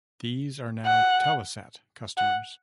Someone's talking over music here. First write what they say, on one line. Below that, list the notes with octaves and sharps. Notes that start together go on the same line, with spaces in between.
These are now Telesat customers.
F#5
F#5